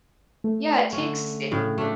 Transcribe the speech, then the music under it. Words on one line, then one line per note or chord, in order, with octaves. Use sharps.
Yeah, it takes it
A3
D3 C#4
A2 C#3
A3 D4